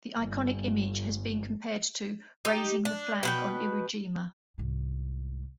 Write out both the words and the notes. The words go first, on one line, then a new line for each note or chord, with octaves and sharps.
The iconic image has been compared to "Raising the Flag on Iwo Jima".
G1
D#4 G4
D4
B2 B4 G5
C2 G#2